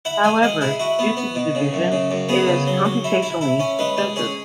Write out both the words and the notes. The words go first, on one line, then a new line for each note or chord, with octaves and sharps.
However, due to the division, it is computationally expensive.
E4 F#5
G#3 G#5
G#3 F#5
E4 G#4
E4 F#4
B3
B3
B2
C#3
F#2
C#3
F#2
B3 G#4
C#3
F#3
F#3
E4
E4
E4
C#4
G#3 B4
G#3
C#4 G#4